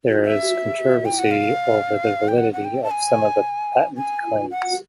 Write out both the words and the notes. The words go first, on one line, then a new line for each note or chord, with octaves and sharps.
There is controversy over the validity of some of the patent claims.
E5
G5
F#5
F5
G5
F#5
F#5
G5
A5
G#5
G#5
F#5